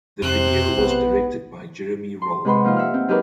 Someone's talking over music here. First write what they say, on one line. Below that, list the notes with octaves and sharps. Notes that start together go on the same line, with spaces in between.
The video was directed by Jeremy Rall.
F2 C3 C5 F#6
B1 B3
C6
C3 G#3 B4 F#5 B5 C6
F3 A#3 D#4 F4
E5 F#5 F6
C4
F#3 D#4 G4 G#4 A#4 B4